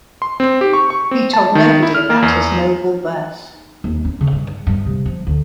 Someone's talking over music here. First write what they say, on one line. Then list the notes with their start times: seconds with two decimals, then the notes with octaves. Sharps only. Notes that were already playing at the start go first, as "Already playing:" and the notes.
He told nobody about his noble birth.
0.22 C6
0.40 C4
0.61 G4
0.73 C#6
0.90 C#6
1.11 C4
1.33 A5
1.55 D#3
1.83 E4
1.95 F6
2.10 A#3
2.22 E2
3.84 D#2
4.05 C#4
4.21 C#3
4.32 G2
4.67 G2
4.86 C3
5.06 F3
5.27 D2